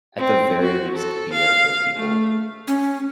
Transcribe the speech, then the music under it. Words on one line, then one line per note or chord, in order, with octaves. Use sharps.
at the very least, be there for the people
C4
F#4
A4
F5
A3
C#4